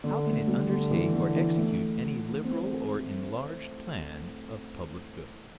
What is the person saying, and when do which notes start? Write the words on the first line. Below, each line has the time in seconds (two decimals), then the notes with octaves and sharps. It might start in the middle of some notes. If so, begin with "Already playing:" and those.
How can it undertake or execute any liberal or enlarged plans of public good?
0.04 D3
0.26 A3
0.47 G3
0.69 D3
0.91 E3
1.13 D3
1.35 E3
1.57 A3
2.44 C4